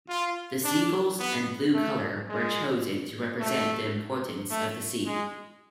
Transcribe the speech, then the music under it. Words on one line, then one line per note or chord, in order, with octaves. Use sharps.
The seagulls and blue color were chosen to represent the importance of the sea.
F4
D4
B3
A3
G#3
A3
A3
G#3